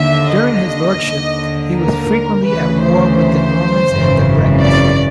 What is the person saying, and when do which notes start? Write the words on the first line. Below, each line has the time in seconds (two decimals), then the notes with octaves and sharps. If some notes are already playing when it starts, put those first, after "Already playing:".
During his lordship, he was frequently at war with the Normans and the Bretons.
Already playing: D#2 D3 E5
0.32 D#5
1.04 D#2 D3
1.75 A#4
2.46 D2 C#3 E3 B4
2.82 C5
3.89 G#1 F#2 C#3 E3
4.60 D5